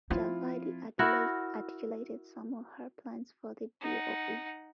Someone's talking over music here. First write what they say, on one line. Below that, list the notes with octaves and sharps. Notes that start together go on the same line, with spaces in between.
Javadi articulated some of her plans for the DoE.
F3 C4 E4 F4
E4 F#4 A#4
D#4 F#5